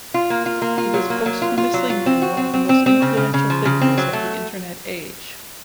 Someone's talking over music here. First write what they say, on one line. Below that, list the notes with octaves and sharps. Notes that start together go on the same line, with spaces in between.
He was posthumously named one of the most influential figures of the Internet age.
F4
A#3
F4
A#3
F4
F#3
A#3
F#3
F4
F4
F#3
F4
C4
F#4
C4
C4
C4
C4
C#3
C#3
C#3
F3
C#3
C4
F#3
A3